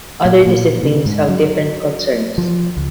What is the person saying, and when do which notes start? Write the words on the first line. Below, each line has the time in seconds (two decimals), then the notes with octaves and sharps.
Other disciplines have different concerns.
0.25 A#2
0.47 A#2
0.83 C#3
1.06 G#2
1.29 F#3
2.38 F3
2.77 C#2